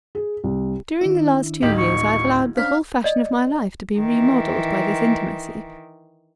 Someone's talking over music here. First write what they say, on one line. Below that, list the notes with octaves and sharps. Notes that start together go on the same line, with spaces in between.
During the last two years I have allowed the whole fashion of my life to be remodelled by this intimacy.
G#4
C2
D#3 D4 E4
D1 D#4 G4 F#7
C#6
C#4 D4 C5 F5 B6
D5 D#5
D#3 E3